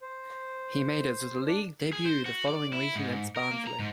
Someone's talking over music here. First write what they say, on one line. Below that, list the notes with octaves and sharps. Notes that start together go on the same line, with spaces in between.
He made his League debut the following week against Barnsley.
C5
D4
G#4
C5
F#4
D5
E4
G#2
A#4
A#3
A#5
G#2